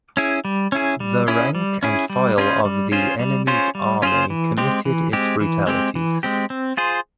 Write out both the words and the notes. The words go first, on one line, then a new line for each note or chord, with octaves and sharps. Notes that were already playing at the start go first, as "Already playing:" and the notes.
The rank and file of the enemy's army committed its brutalities.
C#4 E4 G#4
G3
C#4 E4 G#4
G3
C#4 E4 G#4
G3
C#4 E4 G#4
G3
C#4 F4 G#4 C5
G3
C#4 F4 G#4 C5
G3
C#4 F4 G#4 C5
G3
C#4 F4 G#4 C5
E3
G#3 C4 G4
E3
G#3 C4 G4
E3
G#3 C4 G4
E3
G#3 C4 G4
C4
F4 G#4 C5